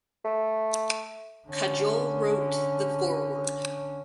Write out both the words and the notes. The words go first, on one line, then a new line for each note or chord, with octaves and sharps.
Kajol wrote the foreword.
A3
D3 C#4